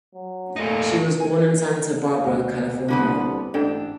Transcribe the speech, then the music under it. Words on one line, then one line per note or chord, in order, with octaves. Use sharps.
She was born in Santa Barbara, California.
F#3
A#2 A3 D#4
G#5
D2 F#3
C2 D3 G3 B3
A1 G#2 D4 A4 G5